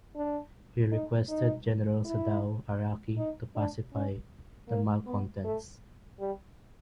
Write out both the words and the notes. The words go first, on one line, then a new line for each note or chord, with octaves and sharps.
He requested General Sadao Araki to pacify the malcontents.
D4
D#4
D#4
E4
D#4
D4
C#4
A#3
B3
A3
G3